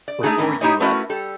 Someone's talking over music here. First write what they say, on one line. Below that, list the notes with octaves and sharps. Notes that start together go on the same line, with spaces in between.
Before you left,
D5
G#3 A3 D4 D#4 F#4 G#4
A2 E3 C#4 A#4
D#4 E4 G4 G#4 C#5 D#5
A3 B3 C#4 E4 F#4 A#4
G3 A4